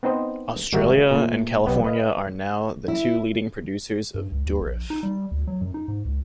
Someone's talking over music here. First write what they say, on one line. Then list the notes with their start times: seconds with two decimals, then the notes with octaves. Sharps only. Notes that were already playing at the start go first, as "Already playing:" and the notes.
Australia and California are now the two leading producers of Durif.
0.03 B3 C4 D#4 B4 C5 D#5
0.73 G#1 G3 G#3 F#4 A#4 E5
1.11 A#2 A3
1.66 B1 B3 G4 B4 D#5 F#5
1.84 B4 D#5 F5
2.88 E4
4.14 G2
4.32 C#2
4.46 D#2
4.61 A#1
4.90 D#4
5.03 G3
5.31 D2
5.47 F#3
5.61 F#2
5.74 D#4
5.88 G#2
6.05 C#2